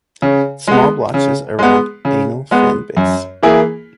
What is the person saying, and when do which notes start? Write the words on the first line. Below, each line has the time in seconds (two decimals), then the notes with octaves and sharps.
Small blotches around anal fin base.
0.22 C#3
0.67 G#3 B3
1.14 C#3
1.59 G#3 B3
2.05 C#3
2.51 G#3 B3
2.96 F#2
3.43 E3 A#3 E4 G#4